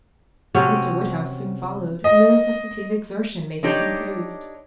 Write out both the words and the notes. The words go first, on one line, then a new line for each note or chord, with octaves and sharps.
Mr. Woodhouse soon followed; and the necessity of exertion made him composed.
C3 F#3 C#4
D#5
D4 D#4 G4 C#5